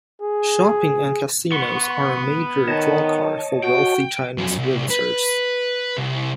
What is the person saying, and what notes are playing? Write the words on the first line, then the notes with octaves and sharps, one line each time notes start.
Shopping and casinos are a major drawcard for wealthy Chinese visitors.
G#4
B3 F#5 C6 C#6
D#3 C#5 D#5 A5
F#4 G5
F2 F#3
C2
B4
C2